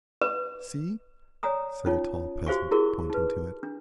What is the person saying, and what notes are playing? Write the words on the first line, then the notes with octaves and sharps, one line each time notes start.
"See!" said a tall peasant, pointing to it.
B4
C#5 D5 G#5 A#5 D#6
C#4 D#4 F4 C#5
F#4 G4 C5 F5 G#5 C#6
E4 F#4 G#4 A#4 C#6
D#4 B4
D4